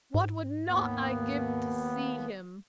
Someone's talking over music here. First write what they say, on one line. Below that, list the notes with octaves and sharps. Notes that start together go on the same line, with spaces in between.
What would not I give to see him!
G#2
D#2 B3